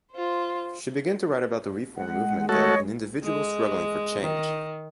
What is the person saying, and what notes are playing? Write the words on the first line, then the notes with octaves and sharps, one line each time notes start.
She began to write about the reform movement there and individuals struggling for change.
F4 C5
G#3 F#5
A3 F#4 A4 C#5 D#5
G#3
D#3